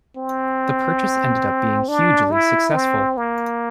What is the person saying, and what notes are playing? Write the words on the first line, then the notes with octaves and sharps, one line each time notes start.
The purchase ended up being hugely successful.
C4
D4
E4
C4
A#3